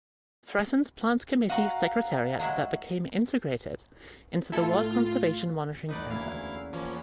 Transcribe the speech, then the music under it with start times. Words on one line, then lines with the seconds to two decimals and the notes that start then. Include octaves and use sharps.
Threatened Plant Committee Secretariat that became integrated into the World Conservation Monitoring Centre.
1.50 F#4 D#5 F5 F#5 A#5
2.40 F#3 G#3 E4
4.52 A2 E4 F4 A4
5.89 E2 A3 D#4 B4 D5 E5
6.11 D2 A#3 C#4 E4 G#4 F5
6.73 E2 F3 A#3 C#4